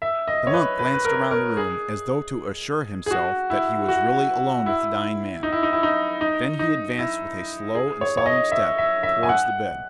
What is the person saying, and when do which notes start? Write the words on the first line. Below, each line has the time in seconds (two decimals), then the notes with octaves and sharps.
The monk glanced round the room as though to assure himself that he was really alone with the dying man; then he advanced with a slow and solemn step towards the bed.
0.02 E5
0.28 D#5
0.47 C#5
0.54 B4
0.79 B4
0.94 B4
1.05 A#4
1.31 A#4
1.57 G#4
3.06 G#4
3.11 F#4
3.50 E4
3.88 F#4
4.66 E4
5.43 D#4
5.52 E4
5.63 D#4
5.73 E4
5.83 D#4
6.21 D#4
6.59 D#4
6.98 E4
7.75 G#4
8.01 C#5
8.17 C#5
8.26 D#5
8.52 E5
8.78 E5
9.03 E5
9.23 G#5
9.29 F#5